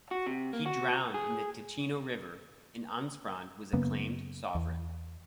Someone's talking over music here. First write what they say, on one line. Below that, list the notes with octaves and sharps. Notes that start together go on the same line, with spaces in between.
He drowned in the Ticino River and Ansprand was acclaimed sovereign.
F#4
C3
A#3
F#4
G#4
F#2 C#3 A#3 B3
E2